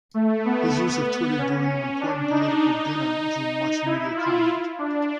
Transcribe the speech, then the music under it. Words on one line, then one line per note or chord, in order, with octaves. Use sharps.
His use of Twitter during an important political dinner drew much media comment.
A3
B3
B3
C#4
C#4
D4
D#4
D#4
E4
F4
D4